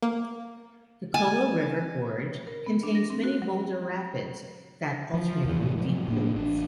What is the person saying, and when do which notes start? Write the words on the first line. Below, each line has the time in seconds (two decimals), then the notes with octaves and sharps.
The Colo River gorge contains many boulder-rapids that alternate with deep pools.
0.02 A#3
1.14 G#5 A5
2.47 A#4
2.66 B3
2.83 D4
2.95 A#6
3.10 C4
3.24 F#4
3.42 F#3
5.14 F3
5.45 E2 E3
5.60 A2 C3 E3
5.77 G#2 F3 F#3
6.08 A2 A#3 D4
6.35 A1 D4